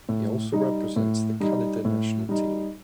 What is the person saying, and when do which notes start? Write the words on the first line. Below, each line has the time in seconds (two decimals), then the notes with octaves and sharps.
He also represents the Canada national team.
0.09 A2
0.53 G3 D#4
0.96 A2
1.40 G3 D#4
1.85 A2
2.29 G3 D#4